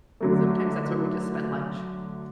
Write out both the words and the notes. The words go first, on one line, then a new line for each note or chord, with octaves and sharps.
Sometimes that's where we just spent lunch.
D3 F#3 A3